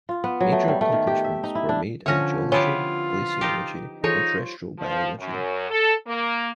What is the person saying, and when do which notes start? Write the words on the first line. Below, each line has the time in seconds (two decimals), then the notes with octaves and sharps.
Major accomplishments were made in geology, glaciology and terrestrial biology.
0.09 F4
0.24 B3
0.40 F#3
0.52 A3
0.68 G3
0.81 A3
0.92 D#3
1.07 G4
1.24 E5
1.44 D#4
1.55 E4
1.69 D4
2.06 D3 F3 C#4 C#5 E5 F6 A#6
2.52 B3 E4 F4 G4 C#5 G#5
3.41 D#4 G4
4.04 E3 D#4 F4 G#4 A4 C5 C#5
4.78 F3
5.18 F#2
5.69 A4
6.07 A#3